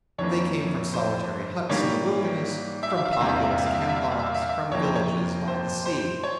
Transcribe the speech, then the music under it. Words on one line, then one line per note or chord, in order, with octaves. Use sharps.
They came from solitary huts in the wilderness, from populous campongs, from villages by the sea.
F2 E3 A#3 C#5
C5
G#2 E3 G3 A#3 C#5
E5
F5
E5
F5
E5
E2 C3 G3 A#3 F5
E5
F5
E5
F5
E5
F5
E5
F5
E5
F5
E5
F5
E5
F5
E5
F5
E5
F2 C3 E3 A#3 C#5
C5
C#5
C5
C5
C#5